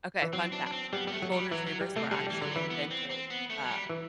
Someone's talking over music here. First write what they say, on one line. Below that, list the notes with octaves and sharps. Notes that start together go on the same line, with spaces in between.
Okay, fun fact. The golden retrievers were actually invented, um,
E3
F#3 C4
D4
D4
C4
G3 B3
G3 A3 B3
F#3
G3
E3 F#3
F#3
G3
C3 A3
D3 G3
E3 G3
D3 F#3
E3 G3
B3
C4
C4
B3
A3
F#3
G3
E3